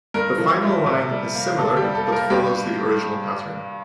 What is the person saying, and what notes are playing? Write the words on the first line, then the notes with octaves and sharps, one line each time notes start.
The final line is similar but follows the original pattern.
G2 A#4
F3
A3
C3
G3
A#3
C3 A4
G4
G3
A4
A#3
A#4
G2 G4